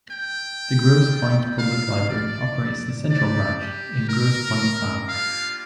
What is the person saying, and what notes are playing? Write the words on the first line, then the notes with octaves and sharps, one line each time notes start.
The Grosse Pointe Public Library operates the Central Branch in Grosse Pointe Farms.
G5
G3 C4 F4
F5
D5
G3 D4 G4 D5
G4
A#4
G3 A#3 D4 F4 F5